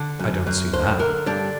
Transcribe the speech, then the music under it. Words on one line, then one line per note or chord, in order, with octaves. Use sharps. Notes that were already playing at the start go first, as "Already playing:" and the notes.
"I don't see that."
Already playing: D3
F#2
F#2
D3 C5
D3 A#4
G2 D4